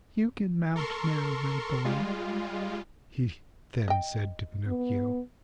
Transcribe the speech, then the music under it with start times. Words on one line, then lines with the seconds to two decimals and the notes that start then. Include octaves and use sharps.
"You can mount now, my boy," he then said to Pinocchio.
0.76 A4 A#4 C6 C#6
1.85 G3 G#3 F4
3.88 D#5 G5
4.67 B3